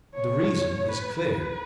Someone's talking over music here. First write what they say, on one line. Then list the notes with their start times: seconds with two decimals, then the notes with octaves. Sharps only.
The reason is clear.
0.14 C#5
0.88 B4